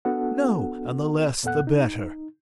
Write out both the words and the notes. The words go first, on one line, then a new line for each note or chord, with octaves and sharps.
No; and the less the better.
B3 D4 F#4 A4 F#5
E2 A#2 B3 A4 F#5 F#6
D#4